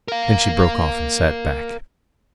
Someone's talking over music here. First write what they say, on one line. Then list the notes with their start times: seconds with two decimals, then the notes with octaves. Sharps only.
Then she broke off and sat back.
0.08 A#4 F5